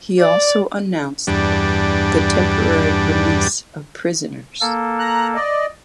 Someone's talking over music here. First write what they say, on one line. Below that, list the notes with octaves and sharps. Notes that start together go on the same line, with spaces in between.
He also announced the temporary release of prisoners.
D5
E2 G2 G3 D4
A#3 A4
A#5 F#6
D5 D#5